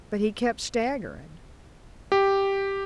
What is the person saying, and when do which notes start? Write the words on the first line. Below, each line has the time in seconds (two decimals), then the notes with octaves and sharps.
But he kept staggerin'.
2.12 G4